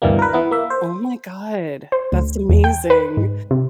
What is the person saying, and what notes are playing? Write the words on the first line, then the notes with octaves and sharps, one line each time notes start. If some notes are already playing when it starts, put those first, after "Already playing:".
Oh my god. That's amazing.
D2 G2 B2 E3 G3 A#3
A#4 B4
E3 B3 E4
A#3 E5
C5
C5
D2
E2
G5
B4
G#2
C3